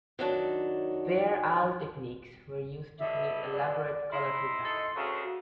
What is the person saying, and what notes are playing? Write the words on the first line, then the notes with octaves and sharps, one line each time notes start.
Fair Isle techniques were used to create elaborate colorful patterns.
D#3 F#3 D4
G2 B2 D3 E5
D5
D#4 E4 C6
G#3 D#4 A4
D2 C#3
F#4